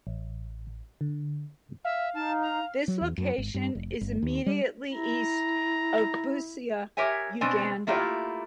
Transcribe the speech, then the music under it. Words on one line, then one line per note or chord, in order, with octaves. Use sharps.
This location is immediately east of Busia, Uganda.
A1
D3
E5 F5
D#4 A5
A#5
F#3
E2
F#2
G#1
G2
F1
G1
D#2
G3
E4 A#5
G4 A#4 C#5 E5 G#5
B2 C4 D4 G#5
A3 A#3 E4 F4 G4